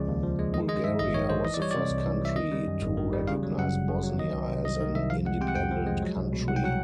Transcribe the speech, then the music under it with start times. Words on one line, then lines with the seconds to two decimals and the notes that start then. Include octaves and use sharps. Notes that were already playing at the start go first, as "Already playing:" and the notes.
Bulgaria was the first country to recognize Bosnia as an independent country.
Already playing: C#2 C#3 F3 G#3 D5
0.08 D#2
0.23 F3
0.39 G#3
0.54 D#3 D#5
0.68 G#3 D#5
0.84 G2 E5
0.99 A1 D#5
1.14 D#3 C#5
1.29 G#3 C5
1.45 E3 D#5
1.54 D5
1.60 G3 C#5
1.71 C3 D5
1.91 C2
2.06 E3
2.21 G3 E5
2.36 D#3 D#5
2.52 G3
2.67 F#2
2.82 G#1
2.97 D#3
3.13 G3
3.28 C#3 F5
3.43 F#3
3.58 F#2 F#5
3.73 G1
3.88 C#3
4.03 F#3
4.19 D#3 D#5
4.34 C2
4.49 C3
4.65 C2 D#5
4.80 D#3
4.95 C2 E5
5.10 F3 F5
5.25 G#3 F#5
5.41 C3 G5
5.48 F#5
5.55 F2 G5
5.71 F3
5.87 G#3
6.02 F#3
6.17 C2
6.32 B2
6.48 C2 F#5
6.56 G5
6.63 F#3 F#5